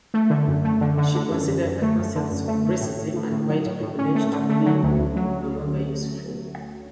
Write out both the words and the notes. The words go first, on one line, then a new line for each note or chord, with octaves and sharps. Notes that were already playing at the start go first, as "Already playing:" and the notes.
She considers the concepts of racism and white privilege to be no longer useful.
A3
D3
F#2
A3
D3
D3
D3
F#2
F#2
F#2
A3
F#2
D3
F#2
A3
A3
A2
A2
A2
A2
F#3
A2
A2
C#4
A3
D3
A3
F#3
D2
D2
F#3